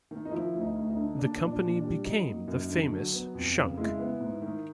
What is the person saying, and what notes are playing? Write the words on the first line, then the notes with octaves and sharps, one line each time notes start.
The company became the famous Schunck.
D#3
D#4
F3 E4
D2
D#4
D2
D#4
D3
A#3 D4
A#2
D4
A#2
D4
G3
F#3 D#4
A#3
F#2
D3
F#3
B3
F2
C#3
G#3 E4
B3
G#2
D#3